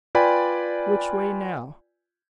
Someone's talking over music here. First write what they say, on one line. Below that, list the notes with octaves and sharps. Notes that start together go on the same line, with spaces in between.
"Which way now?"
F4 B4 D5 G5 G#5 B5